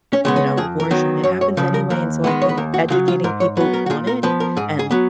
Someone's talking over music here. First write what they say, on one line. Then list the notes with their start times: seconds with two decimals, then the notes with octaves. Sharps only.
You know, abortion, it happens anyway, and so I think educating people on it and
0.13 C#4
0.25 C#3 G#3 B3
0.36 C#4
0.57 F2 G#4
0.80 A#4
0.91 D#3 F#3 B3
1.24 F#2 C#5
1.41 C#5
1.57 C#3 F3 B4
1.74 A#4
1.90 D#2 A#4
2.24 D#3 G#3 B3 B4
2.42 C#5
2.49 B4
2.57 D#2 A#4
2.74 F#4
2.90 C#3 F#3 F4
3.08 F4
3.24 G#2 A#4
3.40 C#5
3.57 F#3 B4
3.60 B3
3.74 A#4
3.86 F#4
3.90 A#2 G#4
4.07 A#4
4.23 F3 B3 B4
4.40 A#4
4.57 G#2 G#4
4.79 G#4
4.91 F#3 B3